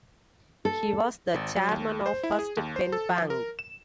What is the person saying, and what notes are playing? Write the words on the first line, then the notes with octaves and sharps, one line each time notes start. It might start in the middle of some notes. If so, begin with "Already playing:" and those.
He was the Chairman of First Penn Bank.
A4
G#1
F#3
D#2
C5
E4
G#4
D#2
C5
A4
F3
A#4
E7